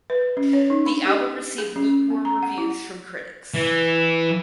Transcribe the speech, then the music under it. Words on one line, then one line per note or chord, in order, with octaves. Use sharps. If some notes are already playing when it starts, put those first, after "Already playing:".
The album received lukewarm reviews from critics.
B4
C#4
C#5
D#4
D4
G4
G#4
C#4
B3
A#5
F#5
E4
E3